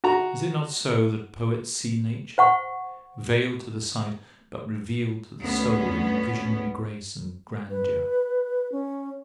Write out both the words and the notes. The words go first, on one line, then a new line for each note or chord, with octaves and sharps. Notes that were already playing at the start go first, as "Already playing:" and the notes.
Is it not so, that poets see nature, veiled to the sight, but revealed to the soul in visionary grace and grandeur!
F#4 A#5
C5 F#5 C#6
D2 B3 C#4
B4
C#4